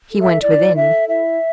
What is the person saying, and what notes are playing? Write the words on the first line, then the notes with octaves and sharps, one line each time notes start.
He went within.
A4
E5
E4 D5
A4 E5
E4 E5